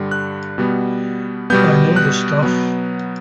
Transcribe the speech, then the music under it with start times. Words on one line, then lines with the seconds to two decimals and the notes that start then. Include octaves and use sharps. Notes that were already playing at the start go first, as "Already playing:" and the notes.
I know the stuff.
Already playing: G2 D3 G3
0.11 F#6
0.58 B2 G3 B3
1.50 B2 G3 B3 G6
1.96 F#6
2.42 B2 F#3 B3